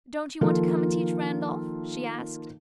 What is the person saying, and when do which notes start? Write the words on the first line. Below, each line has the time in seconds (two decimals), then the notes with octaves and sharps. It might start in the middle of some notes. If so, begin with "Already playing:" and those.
"Don't you want to come and teach Randolph?" she asked.
0.41 D#3 F3 A#3 F4 A4